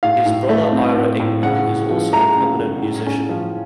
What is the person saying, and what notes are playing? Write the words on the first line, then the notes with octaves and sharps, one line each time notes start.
His brother Ira Ingber is also a prominent musician.
A2 F5
A2
A3
C4
A2
A2
C#3 F#5
C#3
F3
A3 A#5
C#3
C#3
A2
C#4
F3